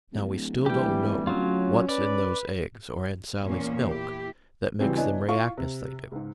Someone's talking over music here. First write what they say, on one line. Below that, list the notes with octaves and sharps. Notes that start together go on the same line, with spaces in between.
Now we still don't know what's in those eggs or in Sally's milk that make them react as they do.
D1
E3 G3 G4 G5
F#3 C#4 F4
B4 D5
E2 A#2 A#3 C#4
E4 G4
C#3 E3 F#3 G3 C4 C#4
B3 D4 E4 C#5 D#5 G#5
E4 F4 F5 C#6
C3
C#2 G#2